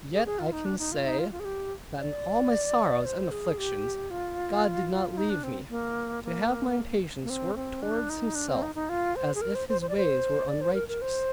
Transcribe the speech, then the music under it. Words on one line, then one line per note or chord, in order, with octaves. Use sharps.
Yet I can say, that in all my sorrows and afflictions, God did not leave me to have my impatience work towards Himself, as if His ways were unrighteous.
G#4
G#4
F4
D#4
D4
D#4
F4
D#4
F4
F4
G#4
G4
D5
C5
G#4
G4
F4
D#4
D4
C4
A#3
A#3
A#3
C4
C4
D4
D#4
D4
C4
D#4
D#4
F4
C5
G#4
A#4
C5
C5
C5
D5
C5
D5
C5
A#4
A#4
C5